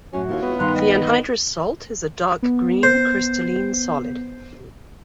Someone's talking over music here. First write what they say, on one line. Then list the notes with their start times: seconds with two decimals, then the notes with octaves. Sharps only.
The anhydrous salt is a dark green crystalline solid.
0.13 F#2 A2 C#4 F#4
0.29 D#2 E4 F4 C#5
0.42 B3
0.59 G2 D#3 F5 A#5 C6 F#6
0.75 D#5
2.43 B3
2.83 C5